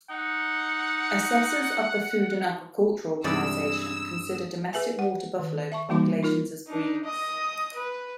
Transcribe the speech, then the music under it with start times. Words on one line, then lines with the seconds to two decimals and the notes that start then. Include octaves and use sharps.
Assessors of the Food and Agriculture Organisation consider domestic water buffalo populations as breeds.
0.10 D#4 F#5
3.24 G2 C3 E3 G#3 D5 D#6 E6
4.73 G#4 B4 E5 G#5
4.99 F#5
5.39 D#3
5.72 E5 A5 C#6
5.89 E3 G3 A#3 D#4 F#4 D6
6.23 D#4 F4 A#4
6.68 D4 D#4
7.04 D#5 D#6
7.74 B4